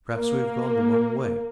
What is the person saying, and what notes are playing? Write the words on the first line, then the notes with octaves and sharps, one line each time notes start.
"Perhaps we have gone the wrong way."
A#3